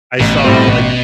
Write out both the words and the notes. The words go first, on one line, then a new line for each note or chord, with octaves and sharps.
I saw like
A1 B2
A2 G3 C4
A1